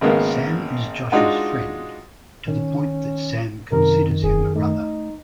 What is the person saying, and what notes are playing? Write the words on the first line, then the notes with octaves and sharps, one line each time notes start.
Sam is Josh's friend, to the point that Sam considers him a brother.
G#1 C#3 G#3 A#3 B3
G#3 D4 D#4 F4 F#4
D#3 C#4
F#2 C3 D#3 A#4
E1 G#4
A3 D#4